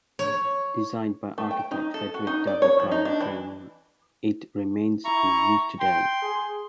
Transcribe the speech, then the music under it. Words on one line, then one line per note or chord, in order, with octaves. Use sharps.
Designed by architect Frederick W. Garber's firm it remains in use today.
C#5
A3
G5
D#4
A4
F#4
D#4
D5
C#5
F3
D#4
D4
E3
E4 A#5 C#6
G5 C6
G#4